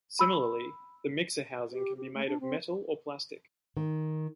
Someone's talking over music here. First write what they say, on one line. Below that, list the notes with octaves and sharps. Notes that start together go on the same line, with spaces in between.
Similarly, the mixer housing can be made of metal or plastic.
B5 E6
G4
G4
A3
D4
C4
D#3